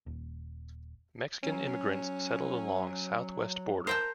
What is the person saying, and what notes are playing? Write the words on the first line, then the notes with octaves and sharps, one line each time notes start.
Mexican immigrants settled along South-west border.
D#1
F#3 C#4
A#4 C5 G5 A5